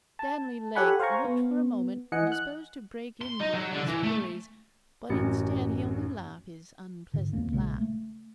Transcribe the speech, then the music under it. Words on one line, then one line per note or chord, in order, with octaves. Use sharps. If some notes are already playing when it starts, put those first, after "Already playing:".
Stanley Lake looked for a moment disposed to break into one of his furies, but instead he only laughed his unpleasant laugh.
A5
G4 A4 C#5 F#5 G#5 B5
C5 F5 G#5 A#5 C#6
B3
E3 D#5 F#5 G#5 C#7
F#6
C6
D#4
F#3
D3
E3
A3
A1 F#2 C#4 F#4 A6 C#7
G#2 D3
E1 D2 A#3 C4
A#1 C#3 G#3
A3